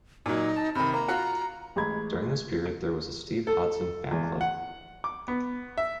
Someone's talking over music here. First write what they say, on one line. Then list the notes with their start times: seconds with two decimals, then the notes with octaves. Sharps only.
During this period there was a Steve Hodson fan club.
0.26 A#2 F#3 D#4
0.56 A5
0.75 C3 D#3 B5
0.94 A#3 A#5
1.08 F4 F#4 F#5
1.76 A1 G#3 A#5 B5 G#6
3.47 A4
4.11 E2
4.41 F#5
5.04 D6
5.28 B3
5.78 E5